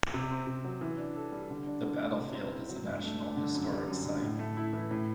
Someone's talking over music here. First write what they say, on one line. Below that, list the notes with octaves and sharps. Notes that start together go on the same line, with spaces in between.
The battlefield is a National Historic Site.
C3
C4
C3
F#3
E3
D4
A4
G3
D3
D4
D3
A3
C3
C4
E4
F#3
G2
A3
D4
D3
F#2
G3
F#2
D3
A2
A3
E4
E3
A2